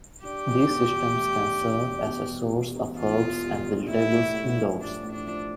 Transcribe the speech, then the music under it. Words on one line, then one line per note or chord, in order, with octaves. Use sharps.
These systems can serve as a source of herbs and vegetables indoors.
D4 G4
E2
E2
E2
A3
D4
D4
E2
B2
G3
G3
E1
E1 F4
E2
G3
G3
A2 E4
A2
A2
F3
A2 D4
A2
D4
F3